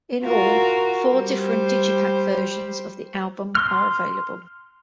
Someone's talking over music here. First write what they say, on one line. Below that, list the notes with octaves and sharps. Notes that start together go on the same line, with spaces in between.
In all, four different digipak versions of the album are available.
F4 F#4 A#4
G3 C5
C6 F6